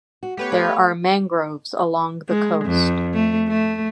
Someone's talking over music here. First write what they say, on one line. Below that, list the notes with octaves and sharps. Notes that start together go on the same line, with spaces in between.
There are mangroves along the coast.
F#4
A3 B3 G4 B4 C#5
A3 F5
G#3
F2
A3
A3